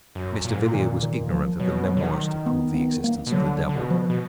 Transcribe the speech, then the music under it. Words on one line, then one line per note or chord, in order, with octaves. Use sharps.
Mr. Villiers was ignorant of the "Memoirs to prove the Existence of the Devil."
F#2
A#2
G#2
A#2
D#3
D#3
F3
B2 F#3
F#3
D3
D#3
B3
B3
A#3
B2
D3 F#3
D3
B2
F3
B2